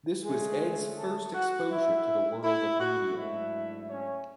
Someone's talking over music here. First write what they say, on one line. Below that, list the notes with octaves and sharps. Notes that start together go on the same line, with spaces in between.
This was Ed's first exposure to the world of media.
D3 G#3 A3 C#4 G#4
A3 A4
F#4 F#5
E4 E5
E4 E5
F#4 F#5
G#2 F#3 A3 D4 E4 E5
C#4 C#5